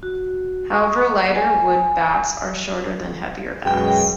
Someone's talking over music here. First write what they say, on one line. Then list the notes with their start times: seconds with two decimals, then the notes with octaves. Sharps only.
However, lighter wood bats are shorter than heavier bats.
0.03 F#4
0.70 C#6
1.35 G#5
3.65 F#2 B2 G#3 G5